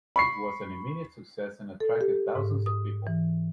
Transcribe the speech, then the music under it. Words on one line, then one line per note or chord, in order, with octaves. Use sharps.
It was an immediate success and attracted thousands of people.
B5 C#6 C7
A4
G4
G#2
D#6
E3